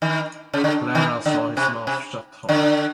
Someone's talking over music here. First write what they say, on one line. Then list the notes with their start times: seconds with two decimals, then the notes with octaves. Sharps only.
Clara saw his mouth shut hard.
0.02 D#3
0.53 C#3
0.64 D3
0.95 D#3
1.25 D3
1.57 C3
1.87 C3
2.49 D3